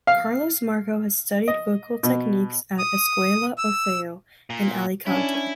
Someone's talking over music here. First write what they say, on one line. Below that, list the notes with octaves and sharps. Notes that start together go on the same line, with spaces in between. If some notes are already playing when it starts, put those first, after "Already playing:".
Carlos Marco has studied vocal techniques at "Escuela Orfeo" in Alicante.
F5
D#5
B2
D#6
E6
A#2
C#4 D4 E4